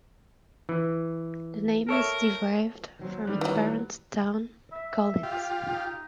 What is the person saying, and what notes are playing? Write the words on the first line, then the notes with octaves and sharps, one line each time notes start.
The name is derived from its parent town, Collins.
E3
A4 A#4 C#5 E5
D#2 F#3 C4
D#3 G3 F#6
E3 F#3
E5
F4 G4
D#4